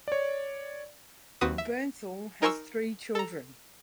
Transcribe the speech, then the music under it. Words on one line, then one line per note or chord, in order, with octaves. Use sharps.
Bernthal has three children.
C#5 D5
D#2 C4 F#4 B4 D#6
E5
D#4 A#4 G#5 C6 C#6 E6
A4 A#5